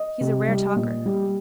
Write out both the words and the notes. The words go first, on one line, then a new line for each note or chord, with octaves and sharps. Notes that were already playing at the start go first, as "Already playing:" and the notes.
He's a rare talker.
Already playing: D#5
C3
G3
A#2
G3